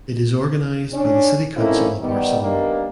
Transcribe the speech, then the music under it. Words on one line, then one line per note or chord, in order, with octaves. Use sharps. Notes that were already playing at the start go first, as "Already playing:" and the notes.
It is organized by the City Council of Barcelona.
C#4 D4
A3 A#3 C4 C#4 D#4 E4
D#3 G3 B3
D#3 G3 A#3 B3 D4 A#4